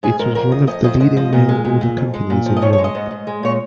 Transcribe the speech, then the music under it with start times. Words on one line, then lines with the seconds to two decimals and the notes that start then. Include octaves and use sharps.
It was one of the leading mail order companies in Europe.
0.03 G#2 G#4
0.19 G#2 A#4
0.35 F2 A#4
0.51 F2 D#5
0.67 F2 D#5
0.84 F2 D#5
1.00 G#2 D#5
1.17 F3 D#5
1.33 A#2
1.49 G#3
1.65 A#2
1.81 A#2
1.97 F2
2.14 G#3
2.30 A#2
2.46 F3
2.57 D#5
2.62 F2 C#5
2.73 C#5
2.78 G#3
2.84 D#5
2.95 G#2
3.11 G#2
3.27 G#3
3.43 A#2 C#5